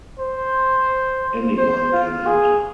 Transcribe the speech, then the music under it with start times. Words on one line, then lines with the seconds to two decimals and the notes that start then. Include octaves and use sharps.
Anyone can enter.
0.19 C5
1.58 C5
1.92 F4
2.27 G#4